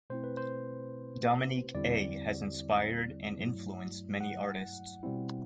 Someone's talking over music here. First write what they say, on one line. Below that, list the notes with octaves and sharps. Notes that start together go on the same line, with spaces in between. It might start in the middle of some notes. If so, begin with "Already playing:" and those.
Dominique A has inspired and influenced many artists.
B2 A3 C4 E4 C5
B4
C5
E2 D3 G3 C4 E4 D5
G2 F#3 A3 E4
F#5
B2 G3 C4 E4